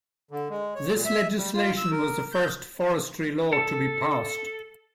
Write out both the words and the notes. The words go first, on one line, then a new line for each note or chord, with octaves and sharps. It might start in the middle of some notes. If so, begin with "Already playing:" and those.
This legislation was the first forestry law to be passed.
D3
G#3
C#5
A#2
E5
G3
F4
E6
A#4
G6
A4